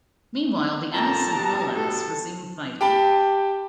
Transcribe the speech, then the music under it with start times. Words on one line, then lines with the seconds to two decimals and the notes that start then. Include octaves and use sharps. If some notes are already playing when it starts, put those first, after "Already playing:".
Meanwhile the Ennis and Nol-Ennis resume fighting.
0.92 F2 A#2 A5 A#5
1.34 G2 B2
1.75 A4
2.81 G4 G5 A5 B5